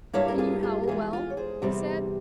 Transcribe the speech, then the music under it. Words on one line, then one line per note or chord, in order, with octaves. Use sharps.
'Can you howl well?' he said.
G2 G3 A#3 E4 C#5 F5
A#4
F4 G#4
F4 G#4
A#4
E2 E3 G#3 F4 G#4
F4 G#4
C#5
G#4 C5
E2 C3 G3 C4